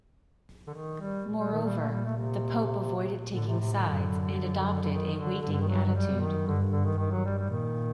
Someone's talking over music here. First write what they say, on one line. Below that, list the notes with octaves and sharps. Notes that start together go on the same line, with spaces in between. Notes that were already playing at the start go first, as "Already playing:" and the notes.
Moreover, the pope avoided taking sides and adopted a waiting attitude.
D3
D#3
G3
A#2
G3
D#3
G3
A3
G3
A3
C3
A2 D3
C3
C3
D3
F#2
D3
D#3
D3
G2 D3
D3
D#3
F#3
F#3
F#2 G3
D#3
G2 D3
D3
D#3
G2 D#3
F#3
G3
G3
A#2 D#3